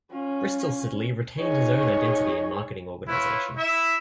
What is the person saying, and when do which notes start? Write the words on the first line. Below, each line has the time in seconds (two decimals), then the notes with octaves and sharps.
Bristol Siddeley retained its own identity and marketing organization.
0.12 C#4 F4
1.39 D#4 G#4 C#5
3.08 E4 F4 B4 C#5
3.56 E4 E5